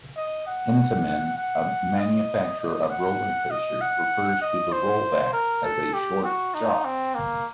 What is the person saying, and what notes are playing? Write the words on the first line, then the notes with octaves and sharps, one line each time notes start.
Intamin, a manufacturer of roller-coasters, refers to the "rollback" as a "short shot".
D#5
F#5
F#5
D#5
D#5
F#5
D#5
F#5
D#5
C5
A#4
A4
G4
F#4
D#4
C4
A#3